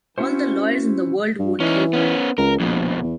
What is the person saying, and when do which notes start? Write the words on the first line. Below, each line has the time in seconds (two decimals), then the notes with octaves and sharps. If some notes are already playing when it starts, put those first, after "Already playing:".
All the lawyers in the world won’t help you!
0.18 C4 C#4 E4 F#4 C5
1.39 G2
1.60 E3 C#4 D#4
1.93 B3 C#4
2.38 C#2 A#4
2.60 A#1 F2 B2
3.02 E2